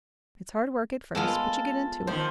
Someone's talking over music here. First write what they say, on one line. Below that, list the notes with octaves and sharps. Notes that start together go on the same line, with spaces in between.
It's hard work at first, but you get into it.
G#3 B3 F4 A4 F6
D#3 F3 C5